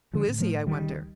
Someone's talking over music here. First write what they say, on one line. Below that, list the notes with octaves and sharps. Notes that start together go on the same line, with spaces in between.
"Who is he, I wonder?"
D3 F3
A2
F3 A3
D2 D#3 G3